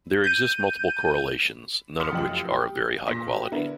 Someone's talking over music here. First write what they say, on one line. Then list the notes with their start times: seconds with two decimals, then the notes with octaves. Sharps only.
There exist multiple correlations, none of which are of very high quality.
0.24 G6 D#7
2.00 C6 D6 D#6 F6 B6 C#7
2.12 F1 F#2 F4 G4 D#5 F#7
2.52 G4
3.08 A#2 A#6 B6
3.28 F#4 G4
3.52 D3 B3 E4 A#4